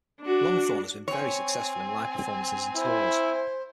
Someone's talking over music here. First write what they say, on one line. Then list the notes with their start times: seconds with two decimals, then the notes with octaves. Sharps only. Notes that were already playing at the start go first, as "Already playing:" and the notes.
Longthorne has been very successful in live performances and tours.
0.22 D4 F#4
1.08 C4 C#5 G#5
2.76 E4 C5